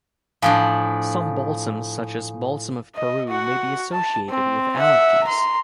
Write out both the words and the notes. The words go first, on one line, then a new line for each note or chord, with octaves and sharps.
Some balsams, such as Balsam of Peru, may be associated with allergies.
A2 F3 D4 F5 G#5 D#6
D#5
F#4 F#5
A5
C4
E5 F#5
A#5 C6